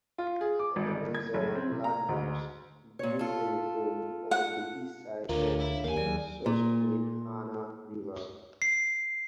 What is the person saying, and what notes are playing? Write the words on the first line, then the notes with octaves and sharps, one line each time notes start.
Ebenezer Landers built a home on the east side of the Susquehanna River.
F4
G#4
D6
G#1
G1
G#6
F#1
C4
C3
A#5
D2
A#2 C#5
F4 A4
F#5
D2 A2 D3 D4 F4 A#4 C#5 F5
E4
D#2 A#3 G4 F5 G#5
D#2 F#3 G#4 D5
A#2
C7